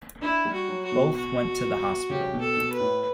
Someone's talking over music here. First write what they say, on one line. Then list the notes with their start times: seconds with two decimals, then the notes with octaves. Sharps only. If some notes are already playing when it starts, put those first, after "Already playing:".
Both went to the hospital.
0.21 D4 E4
0.45 G3
0.53 F#4
0.68 F#3
0.84 F#4
0.92 B2
1.16 F#4
2.09 C#3 G4
2.33 B2
2.40 A4
2.57 B2
2.72 B4
2.80 A2